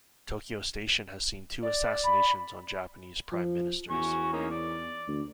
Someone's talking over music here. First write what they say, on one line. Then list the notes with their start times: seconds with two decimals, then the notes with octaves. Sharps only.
Tokyo station has seen two assassinations on Japanese prime ministers.
1.62 D5
2.04 B5
3.32 F3
3.90 E2 F#4 G#5 C#6
4.33 A#3 C#4 D#4
4.51 D5
5.08 D2